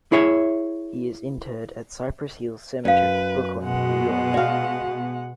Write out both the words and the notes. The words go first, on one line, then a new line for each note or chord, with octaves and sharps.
He is interred at Cypress Hills Cemetery, Brooklyn, New York.
E4 G#4 C#5 E5
F#2 B4 D5 F5
B2 G#3 F#5
F#4 D5 F5